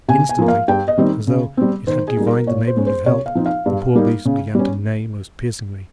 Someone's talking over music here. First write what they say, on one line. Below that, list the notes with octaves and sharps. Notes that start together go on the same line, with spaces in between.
Instantly, as though it had divined the neighbourhood of help, the poor beast began to neigh most piercingly.
C3 G#5
G#5
F3 A#3
F5
G2 G5
D#5
D#3 G3 C4 D#4
C#3
G3 C4
D#3 C5
G#4
G3 A#3 D#4
A#4
A#2 C#5
C5
G#3 C#4
C5
C3 C#5
F5
F3 C4 D#4
F5
G2
G3 A#3 D#4
C#3
G3 C#4